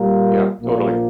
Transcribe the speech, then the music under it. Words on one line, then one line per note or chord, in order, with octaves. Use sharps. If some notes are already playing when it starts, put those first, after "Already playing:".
Yeah, totally.
Already playing: A#2 G3 A#3 F4 A#4
A#1 A#2 F3 A#3 D4